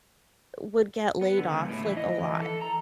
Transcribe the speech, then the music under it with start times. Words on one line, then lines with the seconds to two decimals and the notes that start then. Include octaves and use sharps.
would get laid off, like, a lot,
1.21 B3
1.38 D3
1.52 C#2
1.70 A2
1.84 E3
1.97 D#5
2.18 E3
2.42 A4
2.62 A#5